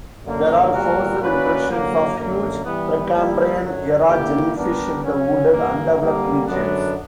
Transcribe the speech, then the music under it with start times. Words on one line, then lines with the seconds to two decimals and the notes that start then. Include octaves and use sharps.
There are fossil impressions of huge Precambrian Era jellyfish in the wooded, undeveloped regions.
0.24 F#2 D3 A#3
0.72 A#2 G3 B3 F#4 A#4
1.19 A#3 C#4 F#4 B4 D5
1.68 D3 F#3 A#3
2.16 F#2 D3 A#3
2.63 E3 G3 B3
3.12 A#2 G3 A#3 E4
3.59 F#2 D3 F#3
4.07 D3 A#3 E4 G4
4.55 G3 B3 D4 G4 A#4
5.03 C#3 F#3 C#4
5.51 G2 E3 A#3
5.99 D3 G3 A#3
6.47 F#2 D3 F#3 B3 D4